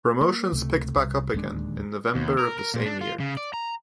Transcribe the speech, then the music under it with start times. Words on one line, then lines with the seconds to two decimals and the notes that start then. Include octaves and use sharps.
Promotions picked back up again in November of the same year.
0.21 A#3
0.52 C#2 C3 A3
0.96 C2
1.34 D1 D#2 G#3 D4
2.15 D#2
2.39 A#4
2.59 A#4
2.74 A#2
2.86 D4
3.01 F4
3.20 C#3
3.37 D5
3.54 A#5